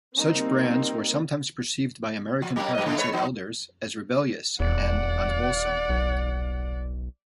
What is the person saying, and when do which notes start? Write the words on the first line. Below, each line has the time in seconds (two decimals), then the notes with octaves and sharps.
Such bands were sometimes perceived by American parents and elders as rebellious and unwholesome.
0.17 G3 A#3 C4 D#4
2.42 F3
2.56 F#3 A#3 C#4
2.75 F#3 A#3 D#5
2.86 C#3 A3 A#3
2.98 G#3 B4 C#5
3.12 F3 B3 D#4
4.60 D#1 E2 D5 F#5
5.90 B1